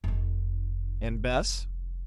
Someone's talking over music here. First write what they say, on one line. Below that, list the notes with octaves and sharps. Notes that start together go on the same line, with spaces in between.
And Bess?
F1 D#3